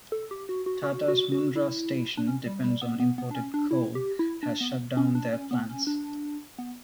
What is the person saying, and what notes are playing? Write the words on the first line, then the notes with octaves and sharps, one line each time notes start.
Tata’s Mundra station depends on imported coal has shutdown their plants.
A4
G4
F#4
F#4
F#4
F#4
F#4
E4
D4
C#4
G3
G3
B3
B3
B3
D4
C#4
D4
E4
G4
E4
D4
B3
C#4
D4
C#4
B3
C#4
D4
B3